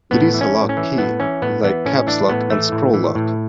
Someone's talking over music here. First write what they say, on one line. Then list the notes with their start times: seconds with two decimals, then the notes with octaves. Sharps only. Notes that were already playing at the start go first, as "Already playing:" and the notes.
It is a lock key, like Caps Lock and Scroll Lock.
0.11 A2 B3
0.34 E3
0.41 C#4
0.55 A2
0.69 C#4
0.77 E3
0.98 A2 B3
1.20 E3 C#4
1.42 A2 B3
1.63 E3 B3
1.85 A2 C#4
2.07 E3 D4
2.29 A2 B3
2.50 E3 A3
2.72 A2
2.94 E3
3.15 A2